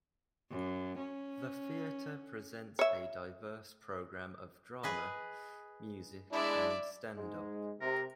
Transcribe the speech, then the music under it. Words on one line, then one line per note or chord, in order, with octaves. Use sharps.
The theatre presents a diverse programme of drama, music and stand up.
F#2
C#4
C#5 E5
G#4 B4 D#5
G#3 D4 E4 D5 E5
G#2 G#3
C3 A#4